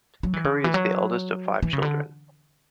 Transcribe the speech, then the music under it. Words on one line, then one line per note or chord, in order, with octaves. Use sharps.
Curry is the eldest of five children.
F#3
E3
D3
E3
F#3
E3
C#3
D3